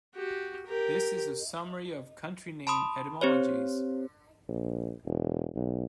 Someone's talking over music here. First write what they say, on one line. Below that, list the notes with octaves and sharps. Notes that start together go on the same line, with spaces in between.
This is a summary of country name etymologies.
F#4 G4
G4 A#4
A5 B5 C6 D#6
C4 G4 C5 C#5
A#1
E1
B1